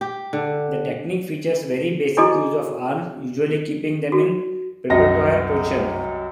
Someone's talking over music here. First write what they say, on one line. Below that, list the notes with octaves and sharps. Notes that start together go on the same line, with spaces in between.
The technique features very basic use of arms, usually keeping them in preparatoire position.
G4
D3
D4 E4 F#4 G#4 A4 D#5
F#4
C2 F#2 D#5 A#6